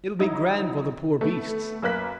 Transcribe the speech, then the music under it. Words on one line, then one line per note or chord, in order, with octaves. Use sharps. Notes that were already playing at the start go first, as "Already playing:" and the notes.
It'll be grand for the poor beasts.
F#3 D#4 E4
A3 B3
F#2 A#3 B4 F#6 B6